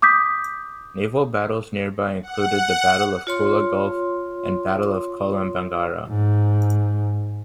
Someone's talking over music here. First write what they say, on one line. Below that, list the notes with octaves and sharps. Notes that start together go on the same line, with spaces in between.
Naval battles nearby included the Battle of Kula Gulf and Battle of Kolombangara.
D6 D#6 G6 B6
F#5
F4 C#5 C6
G#2